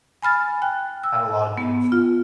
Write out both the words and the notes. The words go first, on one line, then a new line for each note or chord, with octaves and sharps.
had a lotta beautiful
G#5 B5 F6 A6
G5 F#6
E6
B3
F4